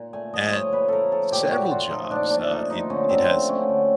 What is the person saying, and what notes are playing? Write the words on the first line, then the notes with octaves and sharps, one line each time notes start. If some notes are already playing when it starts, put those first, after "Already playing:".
And several jobs, uh, it it has,
Already playing: A#2
A3 G#5
F3 D#5
A#2 C#5
A#2 B4
A3 A4 A#4
F3 A4
A#2 G4
A#2 F#4
A3 F4
F3 D#4
A#2 D4
A#2 D4
A3 D#4
F3 D#4
D3 C#4
D3 C4
A3
F#3 C#4
D3